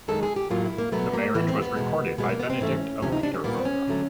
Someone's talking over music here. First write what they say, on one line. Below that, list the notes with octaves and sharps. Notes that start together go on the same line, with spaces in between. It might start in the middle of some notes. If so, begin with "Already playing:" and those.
The marriage was recorded by Benedict of Peterborough.
F#2 D#3 G#3 A4
G#4
G4
A2 F#3 A#3 F4
E4
A#3
B2 F#3 A3 B3
A#3
A2 E3 A3 B3
C4
B3
E2 B2 G#3
B2 G#3 B3
A#3
B3
C4
G#2 E3 A3 C#4
D2 C3 F3 C#4
D#4
D4
C#4
A#2 G3 A#3 B3
C4
C#4
D3 F#3 A3